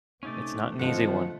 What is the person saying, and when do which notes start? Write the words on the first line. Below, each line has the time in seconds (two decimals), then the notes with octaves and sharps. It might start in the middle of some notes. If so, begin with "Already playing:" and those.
It's not an easy one.
0.23 C3 A3 C#4 D#4 D5
0.79 D3 D#3 F3 C4 F#5